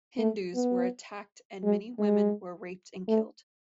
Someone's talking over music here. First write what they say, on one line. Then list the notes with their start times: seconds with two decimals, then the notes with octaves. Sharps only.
Hindus were attacked and many women were raped and killed.
0.18 A3
0.55 B3
1.63 G#3
1.99 G#3
3.08 A3